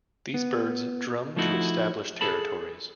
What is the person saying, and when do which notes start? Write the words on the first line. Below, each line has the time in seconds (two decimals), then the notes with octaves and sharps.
These birds drum to establish territories.
0.34 B3
1.36 F3 A3 D#4 E4 F#4
2.21 G#4 A4 A5 B5